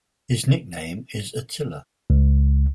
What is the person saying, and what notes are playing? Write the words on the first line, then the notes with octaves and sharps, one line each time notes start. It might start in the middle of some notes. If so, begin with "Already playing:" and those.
His nickname is "Attila".
C#2